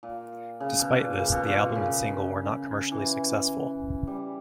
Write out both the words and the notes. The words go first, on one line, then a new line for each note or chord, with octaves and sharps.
Despite this, the album and single were not commercially successful.
A#2
C#3
B2
A#2
C#3
B2
A#2
B2
C#3
E3
G3